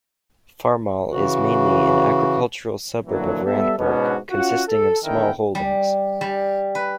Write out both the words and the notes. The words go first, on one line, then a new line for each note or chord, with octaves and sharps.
Farmall is mainly an agricultural suburb of Randburg, consisting of small holdings.
C#3 E3 F#4
A#2 D3 E3 F#3
G3 B3 A4 E5
G#2 B2 B3 C#4 D4 F#4
C#4 F4 F#4 F#5
A4
E2 D3 D#3 E4 A#4 G5
G3
G3
B4